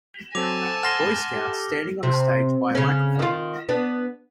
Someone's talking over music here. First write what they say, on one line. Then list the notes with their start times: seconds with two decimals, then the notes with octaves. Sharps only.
Boy Scouts standing on a stage by a microphone.
0.35 F#3 C4 A4 C5 G#5 A5 D6 F7
0.83 F#5 C6 F6 A#6 C7 G7
1.32 G4 A4 D6
2.03 C3
2.75 C#3 C#4
3.19 D#3 F4
3.69 B3 D4